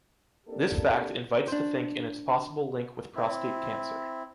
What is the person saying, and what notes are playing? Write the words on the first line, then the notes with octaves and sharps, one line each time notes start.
This fact invites to think in its possible link with prostate cancer.
A#3 C4 D4 G4 A4 A#4
D4 C5
C4 E4